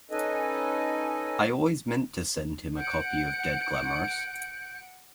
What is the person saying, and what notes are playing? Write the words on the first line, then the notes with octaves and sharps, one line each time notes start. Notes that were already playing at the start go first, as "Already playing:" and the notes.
I always meant to send him a copy of Dead Glamorous.
C#4 D#4 A4 B4 D#5 G#5
F#5 G6 C#7 D7